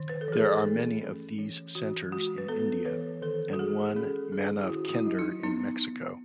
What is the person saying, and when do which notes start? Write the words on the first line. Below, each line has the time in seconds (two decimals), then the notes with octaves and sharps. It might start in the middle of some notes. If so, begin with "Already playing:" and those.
There are many of these centers in India, and one Manav Kender in Mexico.
Already playing: D#3
0.09 B4
0.21 A4
0.28 E3 G#4
0.44 A4
0.64 A3
1.01 C#4
1.38 E3
1.75 E3 F#4
2.12 G#3 F#4
2.38 B4
2.48 B3 A4
2.85 E3 B4
3.22 D#3 A4
3.53 F#4
3.59 G#3 G#4
3.90 G#4
3.96 C#4 A4
4.32 D#3 G#4
4.63 E4
4.69 D#3 F#4
4.89 F#4
4.94 E4
5.06 F#3
5.19 D#4
5.43 B3 D#4